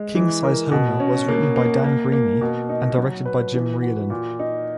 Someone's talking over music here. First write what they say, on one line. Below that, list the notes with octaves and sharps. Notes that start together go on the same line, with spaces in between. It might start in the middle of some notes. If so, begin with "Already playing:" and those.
"King-Size Homer" was written by Dan Greaney, and directed by Jim Reardon.
Already playing: G#3
E3
A#4
B2
C#4
A#3
A#3
A#3
A#3
B2
D#4
F#3
B4
E3
F#4
A#2
D#4